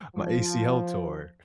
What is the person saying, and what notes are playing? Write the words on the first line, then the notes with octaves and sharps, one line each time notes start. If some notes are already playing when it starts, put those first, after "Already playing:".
my ACL tore,"
F3